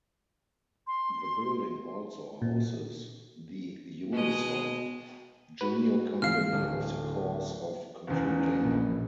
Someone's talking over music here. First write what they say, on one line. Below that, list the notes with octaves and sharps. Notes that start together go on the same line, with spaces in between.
The building also houses the Unisoft, junior company of the course of computing.
C6
A#2
B2 G#3 D#5
F#4 B4
G#2 E3 F3 C4 F5 F6
D1 D3
F#1 E2
A#1